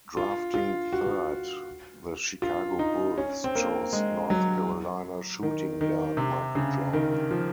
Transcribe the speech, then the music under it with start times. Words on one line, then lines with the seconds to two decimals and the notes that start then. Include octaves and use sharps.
Drafting third, the Chicago Bulls chose North Carolina shooting guard Michael Jordan.
0.17 F4
0.54 F4
0.93 F#4
2.42 F4
2.79 D#4
3.18 C#4
3.44 C4
3.55 A#3
3.93 G#3
4.30 F#3
5.43 D#3
5.81 D#3
6.17 C3
6.55 C#3
6.93 D#3
7.31 F3